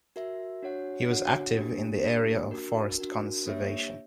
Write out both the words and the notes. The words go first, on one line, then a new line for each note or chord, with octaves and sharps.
He was active in the area of forest conservation.
F#4 A#4 E5
D4 F#4 C#5 F#5
D4 F#4 C#5 F#5
A#3 D4 G4
A#3 D4 G4
D4 F#4 A#4
D4 F#4 A#4
A#3 D4 G4 C#5 E5